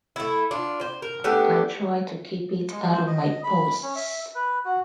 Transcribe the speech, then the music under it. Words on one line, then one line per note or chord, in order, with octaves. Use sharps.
I try to keep it out of my posts.
A3 E4
D4 F4
C5
A#4
A3 B3 D4 G4
G#3
C5
D#5
B5
C#4
E5
B4
F#4